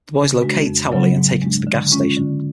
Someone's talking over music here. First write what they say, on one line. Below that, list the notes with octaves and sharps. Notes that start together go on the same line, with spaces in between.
The boys locate Towelie and take him to the gas station.
C#3
G#3 D4 F#4
F2
C#3 F#3 B3
G#2
G#3 D4
D3
G#3 C#4 F4
D3